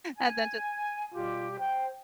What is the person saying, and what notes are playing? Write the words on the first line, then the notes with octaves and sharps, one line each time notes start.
and then, ju
G#5
B2 G3 F4 G4
C5 G5